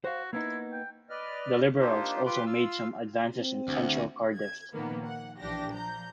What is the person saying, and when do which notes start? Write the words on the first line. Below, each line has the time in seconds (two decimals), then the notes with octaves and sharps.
The Liberals also made some advances in central Cardiff.
0.04 F#4 C5 F5
0.33 A#3 B3 D#4 E4
0.73 G5
1.10 B4 D5 D#5 F6
1.79 A#3 D4 D#4 F4 G4 C5
2.26 F4 G4 B4 C6 D6
2.46 F4 F5 E6
3.35 C4
3.68 D2
4.34 G#6
4.73 A#2 D#3 F3 A#3 B3
5.06 F#5
5.39 A#1 E3 D4 G4 A#6
5.71 F3 A#5 G6